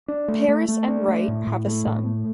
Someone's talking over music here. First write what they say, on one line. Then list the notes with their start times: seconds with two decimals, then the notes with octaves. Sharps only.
Paris and Wright have a son.
0.08 D4
0.28 A3
0.48 A3
0.68 A3
0.88 D4
1.08 A3
1.28 A2
1.47 A2
1.67 A3
1.87 A2
2.06 A3